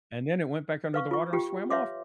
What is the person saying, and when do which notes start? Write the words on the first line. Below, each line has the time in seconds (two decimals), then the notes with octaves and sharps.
and then it went back under the water and swam off.
0.94 B4 F5 C#6
1.11 F4 C#6
1.33 F4 G4 G5
1.70 B4 C#5 E5 F5 C6 D6